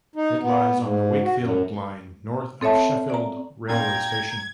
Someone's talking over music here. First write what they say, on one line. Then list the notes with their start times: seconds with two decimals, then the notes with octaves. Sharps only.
It lies on the Wakefield Line north of Sheffield railway station.
0.16 D#4
0.41 B3
0.79 G#2
1.22 F#4
1.37 F#2
2.61 C4 A4 C#5 E5 A5
3.10 D5 A#5
3.69 A#2 G5 A#5 G#6